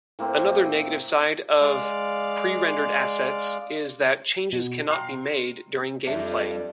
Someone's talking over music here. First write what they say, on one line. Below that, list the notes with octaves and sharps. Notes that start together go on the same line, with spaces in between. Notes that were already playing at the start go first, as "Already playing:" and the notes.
Another negative side of pre-rendered assets is that changes cannot be made during gameplay.
A2 A#3 C4
G#3 D5 F5
B2
F5 G5 A#5 C6
F2 G3 D4 D5 E5